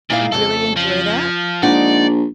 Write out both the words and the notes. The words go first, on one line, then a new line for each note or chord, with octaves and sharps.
Do you really enjoy that?
A#2 D#4 E4 F5
F2 A#2 C#3 A4
F3
A#1 G#3 D#4 D5 F#5